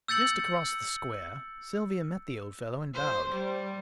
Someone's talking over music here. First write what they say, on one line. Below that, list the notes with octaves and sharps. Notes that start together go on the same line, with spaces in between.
Just across the square Sylvia met the Old Fellow and bowed.
E6 G6 A6 C#7 F#7
C5
G3